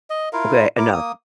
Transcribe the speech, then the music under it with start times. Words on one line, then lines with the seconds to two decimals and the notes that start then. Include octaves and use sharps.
okay, eh, none."
0.10 D#5
0.33 E4 F4 A#4 F5
0.77 E4 A#4 D6
0.93 A#3 D#6